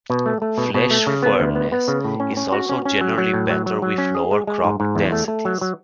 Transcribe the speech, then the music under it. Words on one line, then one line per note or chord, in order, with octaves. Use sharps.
Flesh firmness is also generally better with lower crop densities.
B2
A3
A3
B2
B2
A3
C#3
B3
D2
B3
B3
C#3
A2
C#4
C#4
F#4
C#4
C#4
F#3
F#3
A2
F#3
F#3
F#3
C#4
G#4
G#3
G#3
G#2
G#2
E2
A3
A3
F#3
F#3